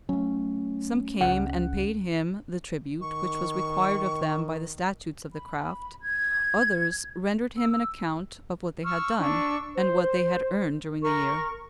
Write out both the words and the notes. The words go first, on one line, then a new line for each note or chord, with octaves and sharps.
Some came and paid him the tribute which was required of them by the statutes of the craft; others rendered him an account of what they had done, and what they had earned during the year.
F#3 A3 C#4
C#2 C#3 F#5
D#3 C#6
B5
G#6
E6
C#6 E6 F6
D4 C#6 E6
C5
A#4 C#6